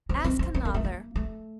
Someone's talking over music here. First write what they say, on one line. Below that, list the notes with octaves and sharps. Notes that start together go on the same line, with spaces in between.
Ask another.'
C4
C4
C4
C4
A#3
A3
A#3
A3